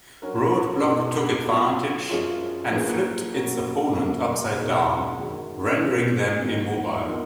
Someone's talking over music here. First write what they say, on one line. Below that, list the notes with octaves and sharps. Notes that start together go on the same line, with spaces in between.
Roadblock took advantage and flipped its opponent upside-down, rendering them immobile.
F#3 C#4 F#4 A#4
B2 G#3 D#4
F#3 B3 F4
F#2 F3 G#3 C#4 F4
F3 A#3 C#4 G#4 B4
F#3 A#3 C#4 F#4
F#2 C#3 F#3 A#3 C#4
B2 G#3 D#4 A#4
F#2 D#3 G#3 C#4 F#4
F#3 C#4 G#4 B4
D#3 F#3 A#3 D#4
F3 B3 D#4 A#4